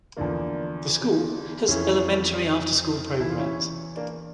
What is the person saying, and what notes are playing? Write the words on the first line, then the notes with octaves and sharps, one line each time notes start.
The school has elementary after-school programs.
E2 D3 F3 A#3 D4
F2 E3 C#4 E4
E2 E3 E4
F4
C#4 E4
A#3 D4